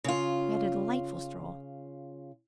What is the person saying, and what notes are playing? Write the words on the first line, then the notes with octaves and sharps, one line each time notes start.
We had a delightful stroll.
C#3 F4